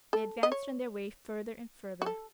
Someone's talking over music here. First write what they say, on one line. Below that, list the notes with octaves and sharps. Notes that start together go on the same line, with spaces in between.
They advanced on their way further and further.
A4
D#5
C#5
F#4
A4